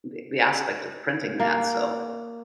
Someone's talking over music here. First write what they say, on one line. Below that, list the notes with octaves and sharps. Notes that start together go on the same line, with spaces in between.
we we aspect of printing that, so
A#3